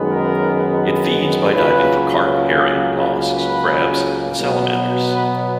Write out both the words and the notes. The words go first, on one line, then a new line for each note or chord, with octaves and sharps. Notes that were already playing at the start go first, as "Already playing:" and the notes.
It feeds by diving for carp, herring, mollusks, crabs, and salamanders.
Already playing: F#2 D#3 G#3 B3
A#4
C#2 C#3 F#3 A#3 B4
B4
B4
B2 F#3 B3
B4